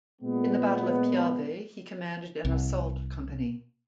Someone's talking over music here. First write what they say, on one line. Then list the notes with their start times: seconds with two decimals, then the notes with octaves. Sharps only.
In the battle of Piave he commanded an assault company.
0.22 A#2 G#3 B3
2.45 C2